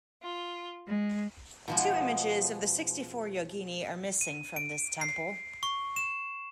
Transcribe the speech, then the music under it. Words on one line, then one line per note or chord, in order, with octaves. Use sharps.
Two images of the Sixty-four Yogini are missing from this temple.
F4
G#3
B2 F3 G#3
D#7
D7
C7
C#6
E7